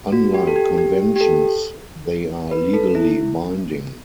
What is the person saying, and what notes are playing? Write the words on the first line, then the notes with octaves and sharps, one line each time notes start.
Unlike conventions, they are legally binding.
F#4
G4
A4
G4
G4
G4
A4
B4
A4
E4